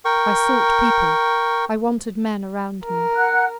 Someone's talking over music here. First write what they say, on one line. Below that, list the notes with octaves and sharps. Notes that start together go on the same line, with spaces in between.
I sought people--I wanted men around me!
A#4 G5 C#6
A#4
F#5 F#6